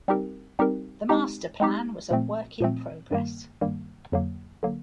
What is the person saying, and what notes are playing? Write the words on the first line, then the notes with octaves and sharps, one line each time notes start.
The master plan was a work in progress.
G3 C4 D#4 G4 A#4
G3 C4 D#4 G4 A#4
G#3 C4 D#4 G4
G#3 C4 D#4 G4
A#2 F3 A3 C4
A#2 F3 A3 C4
G2 D#3 G3 A#3
G2 D#3 G3 A#3
F2 D3 F#3 A#3
D3 F#3 A#3